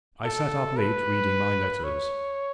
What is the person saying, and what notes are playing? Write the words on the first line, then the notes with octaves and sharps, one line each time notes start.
I sat up late reading my letters.
A4
B4
C#5